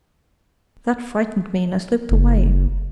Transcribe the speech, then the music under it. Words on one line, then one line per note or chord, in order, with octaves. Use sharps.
That frightened me, and I slipped away.
F#1